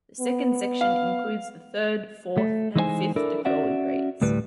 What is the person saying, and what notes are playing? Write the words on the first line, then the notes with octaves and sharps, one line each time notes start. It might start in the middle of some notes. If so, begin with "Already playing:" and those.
The second section includes the third, fourth, and fifth Decroly grades.
B3
F5
A3
E3 G#3 D#4 E4 C5 G#5
D4 E4 A4 A#4 D5
C#4 F#4 D5 E5 F#5
D2 A2 G3 B4